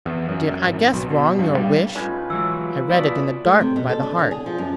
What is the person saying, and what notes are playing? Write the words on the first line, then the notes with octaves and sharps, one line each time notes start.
Did I guess wrong your wish?--I read it in the dark, by the heart.
E2
F#2
G#1
B1
B2
G2
G3
A2 C#4 D#4 F4 B4
E3 F#3 G#3 E6
E2 B2 E4 D5
A3
C3
B2
A4
D4
D3
G#4
F3
F#2